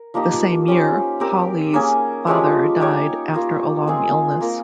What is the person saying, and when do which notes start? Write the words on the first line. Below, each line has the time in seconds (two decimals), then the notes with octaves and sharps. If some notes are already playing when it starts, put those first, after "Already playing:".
The same year, Hawley's father died after a long illness.
Already playing: A#4
0.14 F3 A#3 D#4 G4
0.68 C#4 G4 C5
1.20 C4 G4 A#4
1.74 A#3 C#4 G#4
2.27 F3 G#3 C#4 G4
2.80 D#4 G4 C#5
3.34 A#3 F4 A#4
3.87 G#3 C4 F4 G#4
4.41 A#3 F4 A#4